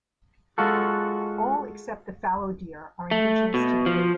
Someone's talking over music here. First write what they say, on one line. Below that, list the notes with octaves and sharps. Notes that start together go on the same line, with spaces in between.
All except the fallow deer are indigenous to the Cape.
G#3 F4 F#4 A4
A3
B2
F3